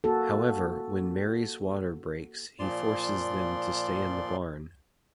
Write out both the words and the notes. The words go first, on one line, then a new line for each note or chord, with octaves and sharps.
However, when Mary's water breaks, he forces them to stay in the barn.
A#3 F#4 A4
A#2 F3 D5 C6